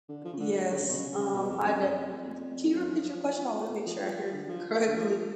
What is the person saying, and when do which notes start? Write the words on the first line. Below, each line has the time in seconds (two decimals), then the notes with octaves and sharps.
Yes, um, I d it Can you repeat your question? I wanna make sure I heard you correctly.
0.09 D3
0.25 F3
0.33 C#3
0.40 D3
0.56 D3
0.71 D3
0.80 C#3
0.89 B2
0.97 C#3
1.18 C#3
1.34 B2
1.50 F2
1.66 F#2
1.81 F#2
1.97 F2
2.75 F#2
2.92 F3
3.86 F3
4.01 F3
4.33 D3
4.49 F3
4.88 D3
4.96 F3